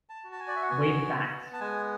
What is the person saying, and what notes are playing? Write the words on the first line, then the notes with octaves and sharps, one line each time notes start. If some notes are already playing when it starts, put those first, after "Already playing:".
Weigh the facts.
A5
F#4
A5
G#5
D5
E5
F#5
B3 G#5
B3
A5
G#3 G#5